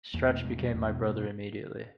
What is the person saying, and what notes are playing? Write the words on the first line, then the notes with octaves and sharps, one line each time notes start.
Stretch became my brother immediately.
E2 A#3
B2 A3
E2 G#3
B2 G3
E2
G#3
B2
F#2 G#3